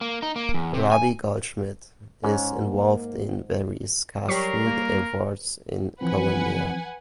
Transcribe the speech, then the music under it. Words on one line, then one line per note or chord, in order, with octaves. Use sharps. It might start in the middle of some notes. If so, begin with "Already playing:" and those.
Rabbi Goldschmidt is involved in various Kashrut efforts in Colombia.
A#3
D#4
A#3
E2
C3
G#5
G#2 C#4
A#3
F#3 G3 G4 A#4 C#6 B6 C7
A#3
E3 F3 C4 B4 F#5 G#5